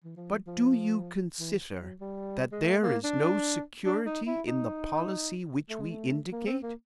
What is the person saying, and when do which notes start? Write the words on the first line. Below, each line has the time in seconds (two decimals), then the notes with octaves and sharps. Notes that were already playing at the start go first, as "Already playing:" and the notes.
But do you consider that there is no security in the policy which we indicate?
0.04 E3
0.16 F3
0.47 F3
1.39 E3
1.80 F#3
2.00 G3
2.52 G#3
2.63 A3
2.83 A#3
3.04 D4
3.85 D4
4.06 D#4
4.27 E4
4.48 D#4
5.70 A3
5.80 G#3
5.90 A3
6.32 A#3
6.47 C4
6.63 A#3